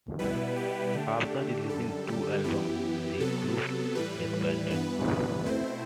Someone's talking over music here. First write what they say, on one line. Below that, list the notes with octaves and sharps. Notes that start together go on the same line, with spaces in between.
After releasing two albums, the group disbanded.
B2 G3 B3 E4 B4
G4
D3 A3 D4 G4
F#2 D3 G3 A4
G4
F#2 E3 B3 E4 G4
C3 F#3 B3 A4
A2 E3 G3 B4
G2 E3 B3 B4
B2 A3 C4 E4 C5